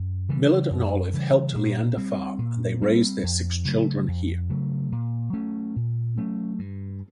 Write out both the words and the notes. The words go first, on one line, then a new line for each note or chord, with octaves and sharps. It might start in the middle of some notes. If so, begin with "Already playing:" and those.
Millard and Olive helped Leander farm and they raised their six children here.
Already playing: F#2
C#3 E3 G3
F#2
C#3 E3 G3
A#2
G3 C4
A#2
G3 C4
F2
C#3 F#3 A3
F2
C#3 F#3 A3
A#2
F#3 A3 C#4
A#2
F#3 A3 C#4
G2